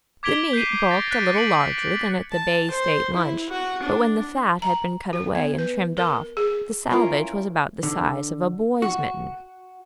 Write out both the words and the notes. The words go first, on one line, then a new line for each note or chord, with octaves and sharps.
The meat bulked a little larger than at the Bay State Lunch, but when the fat had been cut away and trimmed off the salvage was about the size of a boy's mitten.
D6 G#6 B6 D7 F7 G7
G6 C7 D#7
A6 A#6 D7
F#6 A6 B6 D7
C#7 D7 F#7
B6
A5
C5
E4
F#4
D4
A#5
F#4
B3
B4
A#4
G#4
C#4 E4 F4 A#4
D3
F#4